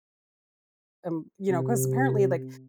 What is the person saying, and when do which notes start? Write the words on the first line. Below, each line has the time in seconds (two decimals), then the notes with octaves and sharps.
um you know, 'cause apparently, like,
1.50 C3